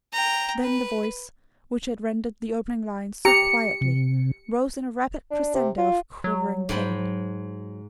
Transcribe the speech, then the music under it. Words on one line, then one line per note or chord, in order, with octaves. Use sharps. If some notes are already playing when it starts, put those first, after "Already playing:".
Then the voice, which had rendered the opening lines so quietly, rose in a rapid crescendo of quivering pain.
G5 A#5
B4
G4 A#5 C#7
C3
D4
C3
F4
F#3
G#2 G5 B5